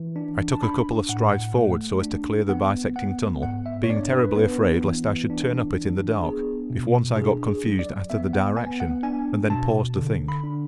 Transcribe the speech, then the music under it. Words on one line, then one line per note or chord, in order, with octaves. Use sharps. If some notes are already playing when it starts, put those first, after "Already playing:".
I took a couple of strides forward so as to clear the bisecting tunnel, being terribly afraid lest I should turn up it in the dark if once I got confused as to the direction, and then paused to think.
Already playing: E3
D4
A5
D4 B5
A2 F#5
F#5
A3
D4
B3 F#5
B3 F#5
G#2 F#5
E5
C#5
D4 D5
B4
B3
E3
D4
D4
B3 G#4
B2
D4 G#4
G#4
F#3
D5
B3 E5
F#5
B3 G#5
F#5
D4 G#5
B2 A5
D3
B5
D4